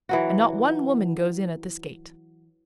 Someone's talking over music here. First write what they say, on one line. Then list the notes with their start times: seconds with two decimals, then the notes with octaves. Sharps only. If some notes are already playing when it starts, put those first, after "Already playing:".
And not one woman goes in at this gate.
0.09 E3 F#3 F#4